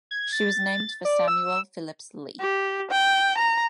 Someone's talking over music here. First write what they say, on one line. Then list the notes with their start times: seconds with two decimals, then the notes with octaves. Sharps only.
She was named for Samuel Phillips Lee.
0.11 G#6
0.33 A6
1.05 D5
1.28 E6
2.40 G4
2.91 G5
3.38 A#5